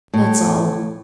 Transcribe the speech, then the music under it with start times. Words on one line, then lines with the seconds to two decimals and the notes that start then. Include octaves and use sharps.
That's all.
0.14 A2